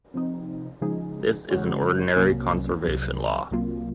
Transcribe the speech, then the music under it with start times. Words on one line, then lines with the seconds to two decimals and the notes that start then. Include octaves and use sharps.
This is an ordinary conservation law.
0.14 C3 F3 C4 D#4
0.82 C#3 F3 G#3 D#4 G#4
1.49 C#3 G#3 C#4 F#4
2.16 C2 C3 F#3 A#3 C#4
2.84 C2 C3 F#3
3.51 C2 C3 F#3 A#3 F4